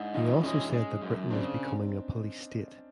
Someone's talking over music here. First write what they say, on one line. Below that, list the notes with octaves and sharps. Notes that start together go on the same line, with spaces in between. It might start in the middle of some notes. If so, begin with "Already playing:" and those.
He also said that Britain is becoming a police state.
Already playing: G#2 D4 E4
E3 D#4 F4
G#3 C#4 D#4
G#3
F#2
C#3 C4 D4